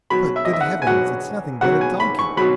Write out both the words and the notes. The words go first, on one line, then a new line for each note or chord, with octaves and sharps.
'But, good heavens, it's nothing but a donkey!'
B2 F#3 B5
E5
D#5
E5
F#5
G#5
B2 F#3 F#5
B2 F#3 F#5
G#5
B5
C#6
B2 F#3 B5